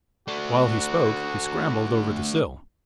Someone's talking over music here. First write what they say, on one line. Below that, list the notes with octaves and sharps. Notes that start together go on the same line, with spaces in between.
While he spoke, he scrambled over the sill.
A3 D4 F#4